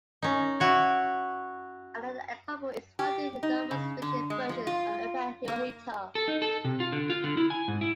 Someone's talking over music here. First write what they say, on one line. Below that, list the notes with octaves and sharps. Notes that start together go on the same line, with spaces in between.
Another example is found in the novel's fictional version of Emperor Hirohito.
C#4 D#4
E4 F#4 C#5
G4
D#4
C#3
D3
G#3
F3
F4
A#3
A4
D#4
A4
C3
F4
D3
F4
D3
E4
G#5
G#2
E4